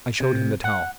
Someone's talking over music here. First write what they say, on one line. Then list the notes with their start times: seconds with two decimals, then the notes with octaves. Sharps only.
I showed him the towel.
0.20 C3
0.64 F#5